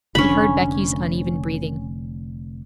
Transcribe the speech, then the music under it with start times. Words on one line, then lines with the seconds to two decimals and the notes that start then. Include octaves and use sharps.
He heard Becky's uneven breathing.
0.15 F1 D3 C#4 D4 B5